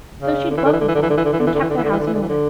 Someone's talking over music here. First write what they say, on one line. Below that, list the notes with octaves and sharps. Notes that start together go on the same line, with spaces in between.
So she dwelt with them, and kept their house in order.
C#3
D3
E3
D3
E3
D3
E3
D3
E3
D3
E3
D3
E3
D3
E3
D3
E3
D3
E3
D3
E3
D3
E3
D3
E3
D3